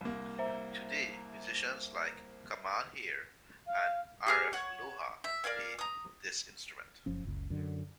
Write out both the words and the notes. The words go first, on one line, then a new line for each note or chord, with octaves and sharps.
Today, musicians like Kamal Heer and Arif Lohar play this instrument.
C2 A#3
C5 E5 A#5
F5
G4 G#4 F6
C#5 F#5
E5
A#4 D5 F5 G#5
A#5 D#6
F#1 F3 C#4
F#1 C#2
F#2 D3